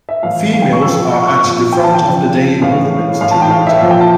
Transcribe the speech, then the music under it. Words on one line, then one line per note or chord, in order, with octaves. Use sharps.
Females are at the front of the daily movements to water.
E5
A2 E3 F5
F5
G5
C#6
A#2 F3 E6
C#6
C#6
A#2 F3
G5
A5
G5
C#3 F3
A2 E3 F5
A2 E3 F5
A5
G5
F5
E5
A#2 F3
G5
A5